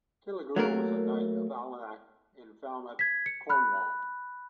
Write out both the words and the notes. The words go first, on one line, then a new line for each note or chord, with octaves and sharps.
Killigrew was a knight of Arwenack in Falmouth, Cornwall.
F#3 A3 A#3 A#4
G#6 B6
C#7
B5 F6 F#6